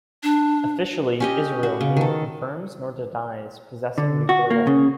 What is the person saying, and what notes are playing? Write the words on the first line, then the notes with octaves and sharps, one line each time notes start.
Officially Israel neither confirms nor denies possessing nuclear weapons.
D4
C#4 G4 D#5
F#4
C#3
D#3 A4
D3
F#4
A#3
C#3